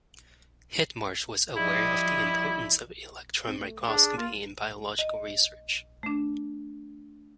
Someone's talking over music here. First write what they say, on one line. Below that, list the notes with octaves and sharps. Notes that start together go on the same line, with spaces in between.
Hindmarsh was aware of the importance of electron microscopy in biological research.
F3 G3 E4 D#5
C4
A3
D4 G#4
A#3 F4
D#5
A3 D4